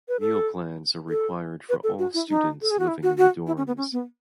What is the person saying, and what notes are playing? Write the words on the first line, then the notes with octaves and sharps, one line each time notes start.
Meal plans are required for all students living in the dorms.
B4
A4
A4
B4
A4
F#4
E4
D#4
A4
G#4
F#4
E4
F#4
F#4
E4
C#4
B3
C#4
B3